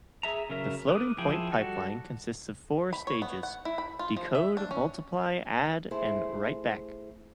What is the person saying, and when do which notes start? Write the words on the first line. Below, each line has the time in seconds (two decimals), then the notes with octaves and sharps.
The floating point pipeline consists of four stages, "decode", "multiply", "add" and "writeback".
0.23 G#4 E5 A#5
0.50 C#3 F#3 A#4 E5
0.88 A#4 D6 D#6 F#6
1.18 F3 E4 G#4 G5
1.52 G3 F#4 A4
2.93 B5
3.07 C#5
3.22 B3
3.43 F#5
3.65 E4
3.78 B5
3.99 F4
4.17 F3
4.35 E5
4.57 D4
4.71 C#4
5.91 A3 E4 G#4 C5